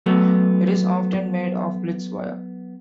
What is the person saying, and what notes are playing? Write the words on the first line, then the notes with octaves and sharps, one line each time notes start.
It is often made of litz wire.
F#3 A3 B3